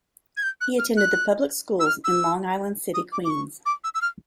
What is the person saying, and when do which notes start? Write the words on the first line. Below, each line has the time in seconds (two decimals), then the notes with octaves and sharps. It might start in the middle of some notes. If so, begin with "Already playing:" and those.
He attended the public schools in Long Island City, Queens.
0.37 G#6
0.43 G6
0.61 F#6
0.79 F6
0.97 F#6
1.80 E6
1.86 F6
2.04 E6
2.94 D#6
3.12 D6
3.25 D6
3.30 C#6
3.66 D6
3.84 E6
3.95 E6
4.02 F6